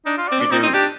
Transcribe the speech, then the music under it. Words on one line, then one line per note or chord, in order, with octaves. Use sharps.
You do.
D4 D#4
F4
D5
C4
D4 D5
C4 D#4
C4 D#4
D4 G4